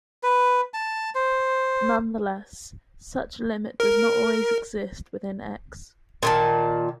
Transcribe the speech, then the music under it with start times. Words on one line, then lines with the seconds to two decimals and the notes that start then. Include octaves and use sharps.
Nonetheless, such a limit does not always exist within "X".
0.23 B4
0.74 A5
1.15 C5
3.80 A#4
6.23 A#2 D#3 A5